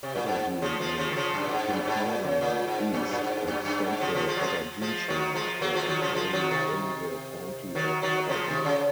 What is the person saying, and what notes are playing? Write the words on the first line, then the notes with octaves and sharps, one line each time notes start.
Aberdeen and Kincardine East and Central Aberdeenshire were entirely within the county of Aberdeen.
C3
A#2
G#2
C#3 F3
F3 G#3
C#3 F3
D#3
C#3 F3
F#2
A#2
G#2
F#2
G#2
A#2
C#3
A#2
G#2
F#2
A#2
G#2
F#2
F#2
G#2
C#3 F3
C#3 F3
F3 G#3
F#3
F3 G#3
F3 G#3
D#3 F#3
F3 G#3
F#3 A#3
F3 G#3
D#3 F#3
C#3 F3
F3 G#3
D#3 F#3
C3 D#3
D#3 F#3
D#3 F#3
C#3 F3
C3 D#3
C#3